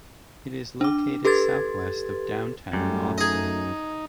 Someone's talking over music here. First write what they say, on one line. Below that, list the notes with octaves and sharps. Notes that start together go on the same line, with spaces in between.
It is located southwest of downtown Austin.
D4 D6
G4 A4 B4 C6 G#6 A6
F#2 G3 A3
D#4 G#4 D#5